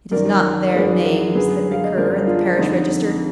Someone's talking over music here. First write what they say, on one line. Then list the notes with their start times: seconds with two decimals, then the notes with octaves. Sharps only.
It is not their names that recur in the parish register.
0.12 F#2 D#3 A#4 D5
0.68 D5
0.74 F#2 D#3 G#4 B4
1.04 F#4 A#4
1.35 F#2 D3 G#4 B4
1.72 F5
1.84 D#5
1.97 F#2 D3 A#4 D5
2.27 D4 F4
2.59 F2 D3 D#4